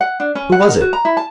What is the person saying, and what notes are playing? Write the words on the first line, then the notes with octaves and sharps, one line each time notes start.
"Who was it?"
F#5
D4
C#4
F#5
A#4
F#4
A#5
E4
A5